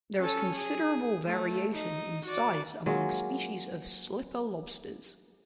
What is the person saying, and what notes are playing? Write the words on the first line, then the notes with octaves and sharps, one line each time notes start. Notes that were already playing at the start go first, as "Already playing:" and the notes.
There is considerable variation in size among species of slipper lobsters.
C#4 A4
G#4
A3
D#4
F#4 D5
F#3 G#3 A#3 F4